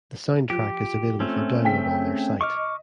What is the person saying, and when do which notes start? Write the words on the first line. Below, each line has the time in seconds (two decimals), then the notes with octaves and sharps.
The soundtrack is available for download on their site.
0.50 F3 G4
1.20 A3 C4 C#4
1.64 C#3 G5 B6
2.41 D#5 C#6 D6 F6